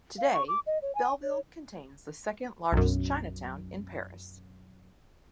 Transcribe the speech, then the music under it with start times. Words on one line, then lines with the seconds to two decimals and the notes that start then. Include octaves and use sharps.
Today, Belleville contains the second-largest Chinatown in Paris.
0.18 F5
0.33 C#6
0.48 D6
0.67 D#5
0.82 C#5
0.95 G#5
1.22 C#5
2.72 B1 F#2